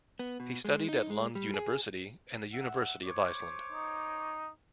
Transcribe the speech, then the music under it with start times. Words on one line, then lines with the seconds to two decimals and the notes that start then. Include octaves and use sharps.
He studied at Lund University and the University of Iceland.
0.19 B3
0.40 B2
0.65 G#3
0.89 D#4
1.10 G#3
1.35 G3
1.54 G#4
2.53 E5 F#5
3.04 C5 C#5 D6
3.72 D#4